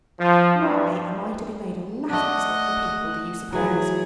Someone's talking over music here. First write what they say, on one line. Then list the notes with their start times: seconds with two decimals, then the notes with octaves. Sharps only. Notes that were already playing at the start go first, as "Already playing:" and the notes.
Why, am I to be made a laughing-stock to people, do you suppose?
0.19 F3
0.61 G2
2.10 A3 D4 D#5 F#5
3.53 E3 F#3 G#4